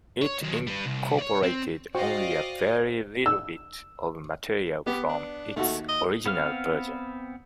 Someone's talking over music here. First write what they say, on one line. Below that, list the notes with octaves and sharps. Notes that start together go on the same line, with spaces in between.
It incorporated only a very little bit of material from its original version.
C#5
D#3 F#3
G3 B4
C2
C#5 D5
C4
F#4 C5 D5 D#5 F5 G5
E6
B3 G4
D4
D#2 A3 F#4
D#5
B3 C4 F5 F6